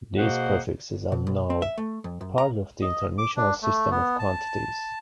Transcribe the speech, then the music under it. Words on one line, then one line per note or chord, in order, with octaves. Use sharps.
These prefixes are now part of the International System of Quantities.
B2 A#3 F#4 G#4 C5 F#5
B2
B1
C4
E5
A3
F2
F#2
A#5
D#5
D6
D4
A3
B3
A5